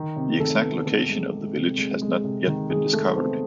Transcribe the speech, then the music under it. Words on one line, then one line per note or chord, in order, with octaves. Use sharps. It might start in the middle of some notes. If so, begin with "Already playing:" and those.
The exact location of the village has not yet been discovered.
Already playing: D#3
C3
D#3 A3 A4
B3
D#3 A3 A4
G#3
G#3
C3
G#3
G#3
C3
D#3
D#3 G#3 G#4
G#3 A3 A4
B3 C4 C5